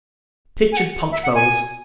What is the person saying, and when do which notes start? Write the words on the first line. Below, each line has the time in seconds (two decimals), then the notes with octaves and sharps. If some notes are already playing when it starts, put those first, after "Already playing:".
Pictured punch-bowls.
0.72 G#5
0.77 F#5
1.11 E5
1.23 F#5
1.35 G#5